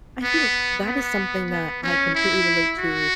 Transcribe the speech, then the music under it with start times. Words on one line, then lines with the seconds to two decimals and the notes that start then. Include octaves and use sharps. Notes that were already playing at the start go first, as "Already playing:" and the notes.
I think that is something that I completely relate to,
0.23 B3
0.87 B3
1.50 B3
1.84 C#4
2.15 E4
2.79 F#4